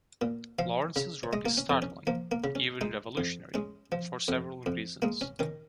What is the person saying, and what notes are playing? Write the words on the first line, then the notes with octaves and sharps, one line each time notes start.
Lawrence's work is startling, even revolutionary, for several reasons.
A#2
F3 F5
C#3
C#5
G#3 D#5
A#3
C#4
F2
C#4
F3 A#3
A#3
C#3
C#4
G#3 D#4
F2
G#3 C#4
F3
F2
F2
G#3 A#3
C#4
D#3 C#4